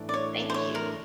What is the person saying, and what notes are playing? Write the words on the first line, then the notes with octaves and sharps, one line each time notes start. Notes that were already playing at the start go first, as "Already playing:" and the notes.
thank you.
Already playing: A2 E3 A3 D4
D5
C#5
C5
C#5
A#4